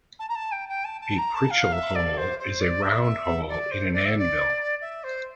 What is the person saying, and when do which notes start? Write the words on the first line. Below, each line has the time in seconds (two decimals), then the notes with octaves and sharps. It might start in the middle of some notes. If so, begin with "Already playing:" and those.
A pritchel hole is a round hole in an anvil.
0.19 A5
0.29 A#5
0.35 A5
0.52 G5
0.69 G5
0.85 A5
1.01 A5
1.18 A#5
1.35 A5
1.51 F5
1.72 E5
1.95 D5
2.17 C5
2.39 C5
2.61 D5
2.83 E5
3.49 D5
3.71 C5
3.93 D5
4.05 E5
4.19 D5
4.81 E5
5.04 C5